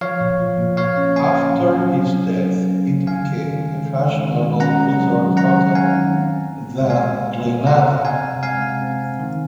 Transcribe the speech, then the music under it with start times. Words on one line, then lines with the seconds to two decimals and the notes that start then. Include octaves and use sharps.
After his death it became a fashionable resort hotel, The Glenada.
0.01 F3 C#5 F5
0.21 A#2
0.39 F3
0.59 A#2
0.77 A#3 C#5 F5
0.97 C#4
1.16 A#3 F5 G#5
1.35 C#4
1.54 F#3
1.73 C#4
1.92 C#4
2.12 F#3
2.31 F#3
2.50 A#3
2.69 C#4
2.88 C#3
3.07 D#3 F5 G#5
3.27 C#4
3.46 D#3
3.65 G#3
3.84 D#3
4.03 G#3
4.22 D#3
4.41 G#3
4.60 C#4 F#5 A#5
4.79 C#4
4.99 F#3
5.18 D#3
5.37 C#4 F#5 A#5
5.56 C#4
5.75 C#4 F5 G#5
5.94 D#3
6.13 C4
6.33 C4
6.51 G#3
6.71 G#3
6.90 A#2 F5 G#5
7.09 A#2
7.28 G#3
7.47 A#2
7.66 C3 F#5 A#5
7.86 C4
8.05 C4 F5 G#5
8.24 C3
8.43 G#3 F5 G#5
8.62 C3
8.82 C4
9.00 C4
9.20 D#3